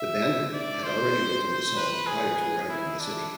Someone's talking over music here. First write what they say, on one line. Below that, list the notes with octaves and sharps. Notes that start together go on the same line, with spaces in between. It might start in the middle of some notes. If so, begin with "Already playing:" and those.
The band had already written the song prior to arriving in the city.
Already playing: E5
D5
C5
C5
B4
G#4
E4
D4